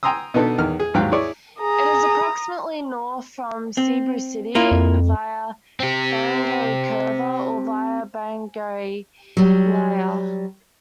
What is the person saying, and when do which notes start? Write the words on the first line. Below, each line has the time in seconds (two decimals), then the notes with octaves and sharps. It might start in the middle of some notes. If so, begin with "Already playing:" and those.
It is approximately north from Cebu City via barangay Curva, or via barangay Luya.
0.03 G5 G#5 A#5 C6 D#6 E6
0.34 B2 B3 D4 D#4 A4
0.58 E2 D#3 F6
0.80 G#4
0.94 D#2 G#2 F#3 F5 G5 F#6
1.12 E4 G#4 C#5 D5
1.60 G#4 A#5 D#6
3.77 C4
4.55 A#3 E4 F4
4.71 F2
5.80 C4 G4
9.37 F#3 G3